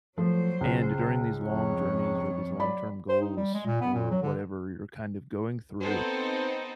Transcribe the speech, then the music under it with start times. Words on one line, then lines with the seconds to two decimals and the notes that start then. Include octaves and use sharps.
And during these long journeys or these long-term goals or whatever you're kind of going through,
0.18 F3 F#3 A3 C5
0.61 C#2 G#3
1.47 F2 C#5
2.59 F#3 D5 B5
3.09 C5
3.21 D#4
3.37 G3
3.54 G#3
3.66 A#2
3.80 B3
3.94 A#2
4.10 F#3
4.22 D3
5.80 B3 C4 D#4 A4 C5